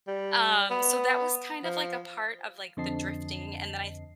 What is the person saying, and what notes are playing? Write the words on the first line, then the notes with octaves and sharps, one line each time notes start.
um, so that was kind of like, a part of like, the drifting, and then I
G3
B3
F3
F2 D3 C4 D#5 A5 C7